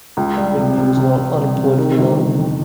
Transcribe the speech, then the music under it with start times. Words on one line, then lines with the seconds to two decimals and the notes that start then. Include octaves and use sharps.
Rigney was not unemployed for long.
0.17 C#2
0.37 G3
0.57 C3
0.77 C3
0.97 C3
1.18 C3
1.38 G3
1.58 C3
1.78 D#3
1.98 G1
2.18 G1
2.38 F2